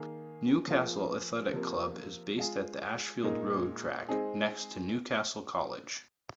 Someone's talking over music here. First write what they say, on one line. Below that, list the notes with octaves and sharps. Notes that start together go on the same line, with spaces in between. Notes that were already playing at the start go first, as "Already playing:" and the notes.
Newcastle Athletic Club is based at the Ashfield Road track, next to Newcastle College.
Already playing: D#3 A#3 G#4
F3 A#3 F4 G#4
C3 F3 A#3
G#3 F4 G#4
A#2 G#3 D#4 A#4
G#3 C4 D#4 G#4